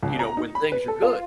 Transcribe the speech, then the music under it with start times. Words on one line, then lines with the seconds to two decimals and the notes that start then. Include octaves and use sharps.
you know, when things are good,
0.03 C#2
0.19 A#5
0.37 D#4
0.55 B5
0.72 B4
0.88 A4
1.02 F4